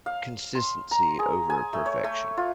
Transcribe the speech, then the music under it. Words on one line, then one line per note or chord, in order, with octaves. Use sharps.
consistency over perfection.
F5
C6
A#5
G#4
G#5
A3
C#5
A3
F4